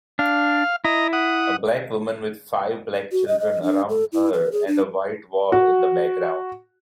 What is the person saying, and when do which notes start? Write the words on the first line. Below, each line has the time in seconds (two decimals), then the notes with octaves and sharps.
A black women with five black children around her and a white wall in the background.
0.19 D4 F5
0.85 E4 D#5 A#5
1.13 F#5 D#6
3.12 F#4
3.28 D#5
3.40 D#5
3.62 D4
3.89 A4
4.12 E4
4.33 B4
4.52 G#4
4.67 D4
5.52 F#4